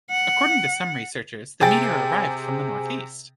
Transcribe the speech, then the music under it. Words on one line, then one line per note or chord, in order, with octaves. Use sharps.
According to some researchers the meteor arrived from the north-east.
F#5
C3 G#4 G5 A6